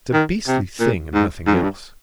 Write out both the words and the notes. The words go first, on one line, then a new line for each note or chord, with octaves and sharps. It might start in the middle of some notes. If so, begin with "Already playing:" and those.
It's a beastly thing and nothing else.
D#3
C3
A#2
G#2
G#2
F2
G2